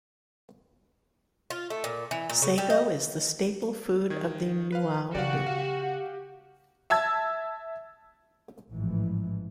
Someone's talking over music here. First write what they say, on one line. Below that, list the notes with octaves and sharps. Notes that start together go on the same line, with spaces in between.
Sago is the staple food of the Nuaulu.
F4
A3
A#2
E3
A#2
C#3
G3
D#5
D#3 G#6
B4 F5
C#3 F#4 G4 D5 F5
F5
E5 A5 E6 G#6
A1 G#2 E3 F3